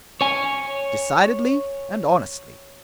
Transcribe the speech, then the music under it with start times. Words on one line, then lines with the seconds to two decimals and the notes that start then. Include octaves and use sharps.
"Decidedly and honestly."
0.21 C#5 G#5